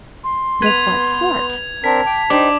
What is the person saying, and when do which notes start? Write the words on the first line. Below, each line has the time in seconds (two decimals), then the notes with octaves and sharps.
"But of what sort?"
0.24 C6
0.62 B3 B4 G6 G#6 F7
1.84 C4 D4 A#4 A5 B6
2.06 G5 D6
2.30 D4 D#4 G4 C5 D6